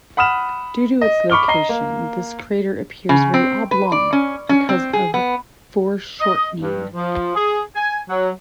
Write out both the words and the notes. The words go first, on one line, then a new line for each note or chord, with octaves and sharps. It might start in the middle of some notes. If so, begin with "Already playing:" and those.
Due to its location, this crater appears very oblong because of foreshortening.
F#5 B5 D#6 F6 E7
D#5
B5 C#6 D6 F6 G7
D#5 A#5 C7 G7
A#3
C#3
C4
B4
D5
C#4
C#4
C4
G#4
B3
D#5
G2
F3
G#4
G#5
F#3